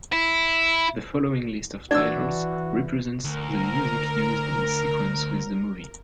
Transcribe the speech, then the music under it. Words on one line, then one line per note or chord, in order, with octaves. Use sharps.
The following list of titles represents the music used in sequence with the movie.
E4
E3 D4 F#4 D5 E6
D2 A#4